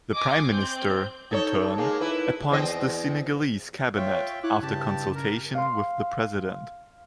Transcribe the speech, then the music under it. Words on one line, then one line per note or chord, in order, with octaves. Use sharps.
The Prime Minister, in turn, appoints the Senegalese cabinet, after consultation with the President.
D#5 G#5 D6 D#6
C4 G6
D#4 A4 C#5
G#3 A#3
E4 B4
E2 C4 D#5
F4 C#5 E5 G5
E4 C#5 D6 F#6
G2 C#3 G4 A5
A#4
F5 C6